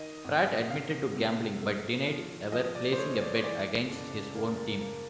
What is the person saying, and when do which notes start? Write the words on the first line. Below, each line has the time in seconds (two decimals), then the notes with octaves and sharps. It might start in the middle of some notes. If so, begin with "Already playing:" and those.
Pratt admitted to gambling but denied ever placing a bet against his own team.
Already playing: D#3 D#5
0.25 G#1
0.70 C3 F5
1.16 C3
1.62 A3
2.07 F3
2.52 F3 D#5
2.75 D5
2.92 C5
2.98 A3 C#5
3.21 D5
3.36 C#5
3.44 E3 D5
3.89 F#1
4.35 A#3
4.80 A#3